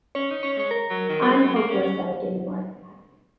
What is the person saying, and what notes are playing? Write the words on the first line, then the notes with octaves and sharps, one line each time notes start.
I'm hopeless at a game like that.
C#4 C#5
D#4
C#4 C#5
G#3 C#5
A#4
F#3
D#3
F#3
G#3
F#3
A#3
C#4
C#4